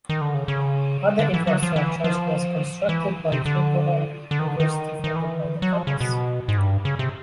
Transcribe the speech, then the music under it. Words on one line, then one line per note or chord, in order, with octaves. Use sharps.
Other infrastructures was constructed by Tribhuvan University funded by the campus.
D#3
D3
C#3
C#3
D3
E3
F#3
F3
E3
F3
E3
C3
D3
D3
D#3
D3
D#3
D#3
E3
F#3
F3
C#3
B2
G#2
G2
C#3
C3